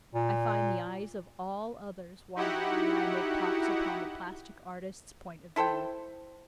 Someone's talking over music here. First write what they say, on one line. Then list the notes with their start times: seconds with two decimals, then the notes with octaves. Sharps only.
I find the eyes of all others wandering when I make talks upon the plastic artist's point of view.
0.14 A#2
2.36 D#4 E4 F#4 G4 F#5
5.56 E4 A4 C5 G5